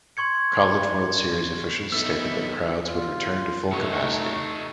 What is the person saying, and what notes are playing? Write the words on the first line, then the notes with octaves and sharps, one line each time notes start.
College World Series officials stated that crowds would return to full capacity.
C6 C#6 G#6 C#7
B3 D#4 A4 E5 E6
F4
A3 D#4 C#5